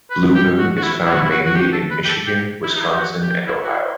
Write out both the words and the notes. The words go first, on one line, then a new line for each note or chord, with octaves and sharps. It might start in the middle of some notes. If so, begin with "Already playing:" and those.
Blue Moon is found mainly in Michigan, Wisconsin, and Ohio.
B4
G4
F#4
F#4
E4
E4
F#4
E4
F#4
F#4
G4
A4
B4
G4
A4
G4
E4
D#4
E4
G4
F#4
G4
E4
F#4
E4